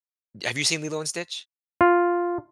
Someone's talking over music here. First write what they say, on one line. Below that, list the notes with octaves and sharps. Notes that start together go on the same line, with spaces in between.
D Have you seen Lilo and Stitch?
F4